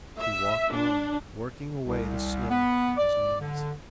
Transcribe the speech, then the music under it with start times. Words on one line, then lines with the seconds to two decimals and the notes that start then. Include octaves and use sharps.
He walked on, working away the snow with his knees.
0.19 E5
0.74 D4
1.83 C2
2.50 B3
2.97 D5
3.40 D3